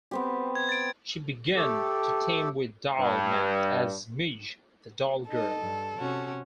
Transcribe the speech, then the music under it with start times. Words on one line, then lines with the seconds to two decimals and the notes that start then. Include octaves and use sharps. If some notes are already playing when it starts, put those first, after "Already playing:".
She began to team with Doll Man as Midge, the Doll Girl.
0.11 B3 C4 G4
0.55 G#6
0.69 A6 D7
1.56 A3 G4 A4
3.00 G2
5.29 D#4 A4 D#5
5.61 G2
5.99 C3 C#4 F#4